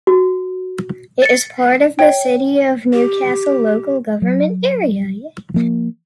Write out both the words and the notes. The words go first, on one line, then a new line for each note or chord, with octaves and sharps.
It is part of the City of Newcastle local government area.
F#4
A6 C#7
C#5 G5
G4
F#3
F3 A#3